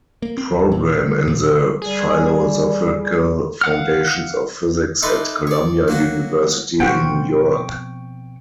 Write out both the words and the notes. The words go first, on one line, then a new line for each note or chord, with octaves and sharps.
Program in The Philosophical Foundations of Physics at Columbia University in New York.
A#3
C4
E2
A#2
D3
A#2
G3 G#4
F5 F#5 F6
D#4 A4 B4 C5 D5 E5
C#5 D5
F#3 A#3 F#4
B2 F3 B3 C4 F4 F#5 G5 C#6